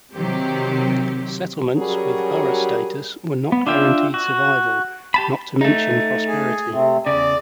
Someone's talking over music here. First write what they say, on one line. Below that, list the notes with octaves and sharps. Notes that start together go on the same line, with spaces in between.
Settlements with borough status were not guaranteed survival, not to mention prosperity.
C3 D#3 F#3 C4 G4
F#3 G3 C#4 F#4 G#4 A#4
B3
D4 F4 E5 G5
F#4
G4 A5 B5
A3 D#4
G#4 G#5
C3 A3 C4
E2 C#3 D5